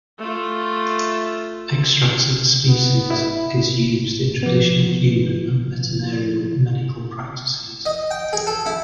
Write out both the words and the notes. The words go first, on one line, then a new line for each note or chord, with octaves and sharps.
Extracts of the species is used in traditional human and veterinary medical practices.
A3 F4
B3
E4
F3 B3
D#5
G5
G#4
A4
E4